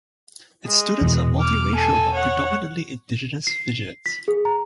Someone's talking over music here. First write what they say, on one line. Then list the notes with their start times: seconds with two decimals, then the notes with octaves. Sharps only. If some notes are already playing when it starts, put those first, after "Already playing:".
Its students are multiracial, but predominantly Indigenous Fijians.
0.67 G#3
1.01 E2 B2
1.39 D6 F6
1.75 A4 G#5
2.13 C#5 F#5
3.47 C7
4.06 B6
4.28 G#4
4.45 A#5